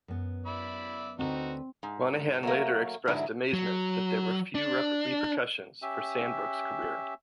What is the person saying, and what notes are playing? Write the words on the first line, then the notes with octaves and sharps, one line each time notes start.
Moynihan later expressed amazement that there were few repercussions for Sandbrook's career.
F#2 B3
D5 E5 B5
D2 D3 C4 D#4 F#4 B4
G#2
F#3 A3 A#3
G#2 D3 E3 F#3 D4 E4
F#3
D4
C#4 G4 E5